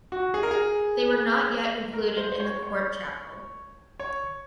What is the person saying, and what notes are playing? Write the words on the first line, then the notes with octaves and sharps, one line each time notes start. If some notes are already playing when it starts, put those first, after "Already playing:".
They were not yet included in the court chapel.
F#4
G#4
A#4
G#4
A#4
C5
C5
C#5
C#5
C#5